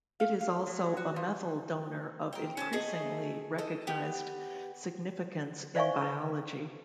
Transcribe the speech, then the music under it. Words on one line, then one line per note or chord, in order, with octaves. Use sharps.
It is also a methyl donor of increasingly recognised significance in biology.
F5
F5
F#3
F#4
F3
A#4 G5
C#4 C5 A5
A3 G#4 D#5
A4 D#5
B3 G4
C5 D5 E5 F5 G#5 C#6
E4 B4